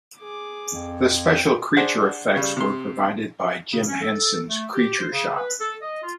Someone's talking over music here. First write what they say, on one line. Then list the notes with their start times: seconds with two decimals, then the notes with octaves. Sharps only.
The special creature effects were provided by Jim Henson's Creature Shop.
0.18 G#4 D6
0.73 F2
1.26 G5
1.77 D4 G#4 C5 F#5
2.36 C#3 G3
2.57 C3 C6
3.73 C#3
3.88 C#4
4.01 A4
4.49 A3
4.75 G4
4.99 C5
5.13 C#3
5.37 B4
5.60 A4
5.82 D#5
6.03 F4